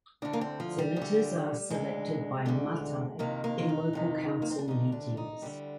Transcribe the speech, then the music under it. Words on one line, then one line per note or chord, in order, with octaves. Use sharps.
Senators are selected by matai in local council meetings.
D2 D3 D4
A#3
C4
F3
G3
D2
D3
D2 D3 G#3
D2 D3
F2 C3 D#3 A#3
A#3
F4
D#4
F2 C3 D#3
A#3
C4
D4
D2 D3 D#4
D4
D#4
D2 D3 G3